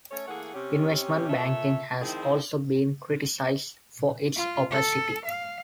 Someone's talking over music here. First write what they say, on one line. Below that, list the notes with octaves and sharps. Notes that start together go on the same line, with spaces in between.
Investment banking has also been criticised for its opacity.
A3 C#4 A4 C#5
E3 A3 A#3 G#4 F#5
C3 C#4 G4
A#2 A4 C#5 E5
D#3 F3 G#3 C4 E4 G#4
F4
A4
F5